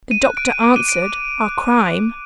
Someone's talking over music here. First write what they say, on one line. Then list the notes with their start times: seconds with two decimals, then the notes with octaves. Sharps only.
The doctor answered, "Our Crime."
0.11 D#7
0.24 F#6
0.37 D7
0.62 D6 D7
0.76 D#7
0.88 D7
1.03 D6
1.41 F#6
1.80 F#6